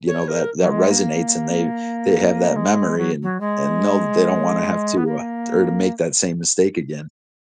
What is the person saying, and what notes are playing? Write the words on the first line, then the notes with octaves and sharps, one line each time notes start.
you know, that that resonates and they they have that memory and and know they don't wanna have to, uh, or to make that same mistake again.
C#5
A#4
F#3
G#3
A#3
G#3
F#3
F#3
G#3
B3
A#3